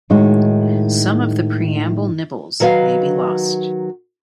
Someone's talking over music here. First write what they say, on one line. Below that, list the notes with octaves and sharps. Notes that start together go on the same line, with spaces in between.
Some of the preamble nibbles may be lost.
A2 D#3 G#3 D#4 F#4
D#3 F#3 B4 D#5 F5